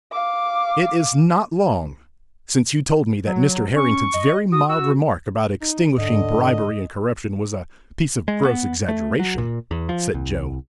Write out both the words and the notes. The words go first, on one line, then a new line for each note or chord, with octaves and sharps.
"It is not long since you told me that Mr. Harrington's very mild remark about extinguishing bribery and corruption was a piece of gross exaggeration," said Joe.
F5 D6
F#3
C#4 C#6
D#5
F#4 D#6
F#4 E6
D#4
G#2 D3 D#5
G#3
B3
A3
F#3
A#2
E2
F3
C2